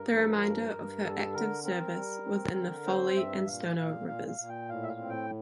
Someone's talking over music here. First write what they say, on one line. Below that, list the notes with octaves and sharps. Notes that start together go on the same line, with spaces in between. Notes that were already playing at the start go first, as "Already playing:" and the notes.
The remainder of her active service was in the Folly and Stono Rivers.
Already playing: G2 A#4
F3
G2
G2
G3 A4
D3 A#4
C4 A#4
G3
C4
D3
C4 C5
G2 E5
A#2 F5
A#2 F5
A#2 F5
F5
A#2
G5
A2 F5
E5
F5
C4
G5